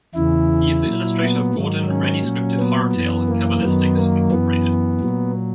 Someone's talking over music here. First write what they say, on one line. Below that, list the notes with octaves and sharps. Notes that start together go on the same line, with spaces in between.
He is the illustrator of Gordon Rennie-scripted horror tale Caballistics, Inc..
E2 C#3 E3 E4
A#2 F#3
B3
G#2 D#3 F#3
C#4
A#2 F#3
B3
F#2 E3
A#3
F#2 D#3 F#3 B3
A#3
F#2 E3 B3
A#2 F#3